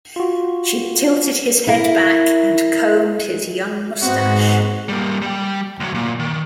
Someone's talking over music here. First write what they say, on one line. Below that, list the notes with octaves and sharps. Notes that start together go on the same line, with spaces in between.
She tilted his head back and combed his young moustache.
F4 F#4
E4 A#4
G#2 B3 C4 F#4
G3 A#3
G3 G5
D2 F#3
A#2
D#3